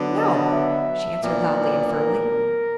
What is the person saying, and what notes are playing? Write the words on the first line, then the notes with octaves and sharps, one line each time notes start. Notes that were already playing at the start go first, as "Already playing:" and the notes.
"No!" she answered, loudly and firmly.
Already playing: D3 F#3 B3 D4
D#5
E5
A#2 F#3 B3 D4 D5
A#4